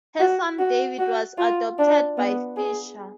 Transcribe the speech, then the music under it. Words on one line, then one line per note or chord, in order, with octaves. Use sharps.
Her son David was adopted by Fischer.
F#4
F#4
F#4
F4
D4
B3
G#4